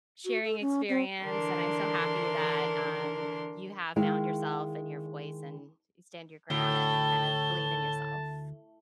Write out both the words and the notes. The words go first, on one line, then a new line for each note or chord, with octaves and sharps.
sharing experience, and I'm so happy that, um, you have found yourself and your voice and you stand your ground and kind of believe in yourself.
F#4
A4
C#4
C4
D3 E3 D4 A#4 C6
D#3 G#3 E4 F5
D2 A2 A5 G7